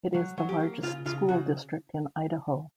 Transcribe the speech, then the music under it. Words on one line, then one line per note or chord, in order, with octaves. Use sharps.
It is the largest school district in Idaho.
F#3
F#3
G4
A#3
C#3 F4
C#3 F4
C#3 F#4